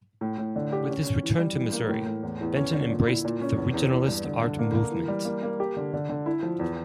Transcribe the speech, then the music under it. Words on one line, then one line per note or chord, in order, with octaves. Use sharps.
With his return to Missouri, Benton embraced the Regionalist art movement.
A2
A2
D3
G4
C#4
C#4
E3
G3
E3
A#3
A2
A2
E2
E2
C#4
D3
A#2
E4
A#2
C#4
E2
E2
E4
G2
D3
D3
A#3
A#3
E3
G3
A#3
A#3
G4
D3
D3
D3
E4
F3
E2